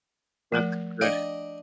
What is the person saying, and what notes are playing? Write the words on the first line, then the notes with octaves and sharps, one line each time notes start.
That's good.
F3 A3 A#4
D4 D#5 F5 G5